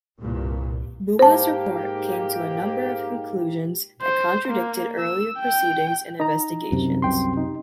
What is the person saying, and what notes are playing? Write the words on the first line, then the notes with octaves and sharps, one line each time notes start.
Bua's report came to a number of conclusions that contradicted earlier proceedings and investigations.
C2 G2 A#2
G#2 A#3 G4 C5 A5
C5
A#3
E6
G5
D#4 A#5
F#2 C3
C2 G5 C6
D#4